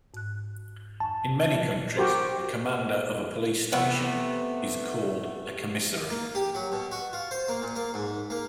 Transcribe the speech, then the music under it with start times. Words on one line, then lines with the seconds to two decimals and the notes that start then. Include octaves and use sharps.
In many countries, the commander of a police station is called a commissary.
0.14 G#2 F#6
1.00 F2 G#5 A5 C#6
1.51 A#2 F3 D5
1.97 F#4 G4 A#4 C5
3.72 C3 A3 B3
6.10 A#3
6.35 G4
6.55 F#3
6.72 B2
6.92 F#4
7.13 F4
7.31 C5
7.48 A#3
7.62 A#2
7.76 A#3
7.94 G#2
8.30 A#3